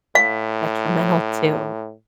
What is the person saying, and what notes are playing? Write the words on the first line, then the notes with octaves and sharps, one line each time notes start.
detrimental to
A2 F5